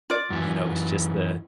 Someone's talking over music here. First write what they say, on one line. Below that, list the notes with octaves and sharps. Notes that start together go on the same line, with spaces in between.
you know, it's just the,
F4 D5
F#2 E3